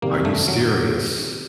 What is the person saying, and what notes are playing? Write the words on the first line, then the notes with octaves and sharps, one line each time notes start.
Are you serious?
C3 D#3 G3 A#3
A3
F#3